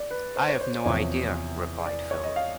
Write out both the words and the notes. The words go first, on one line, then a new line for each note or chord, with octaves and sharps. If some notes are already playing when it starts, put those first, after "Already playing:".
I have no idea, replied Philip.
Already playing: D5
B4
C5
C#5
C5
C5
E2 C3 F3 C#5
D5
C#5
D#5
F5